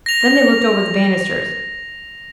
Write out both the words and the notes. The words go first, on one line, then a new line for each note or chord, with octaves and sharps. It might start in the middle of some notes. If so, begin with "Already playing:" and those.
Then they looked over the banisters.
A#6 F7